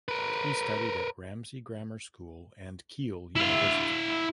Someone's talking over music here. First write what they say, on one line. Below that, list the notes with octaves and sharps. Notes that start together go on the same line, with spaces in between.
He studied at Ramsey Grammar School and Keele University.
A#4 B4
E4 F5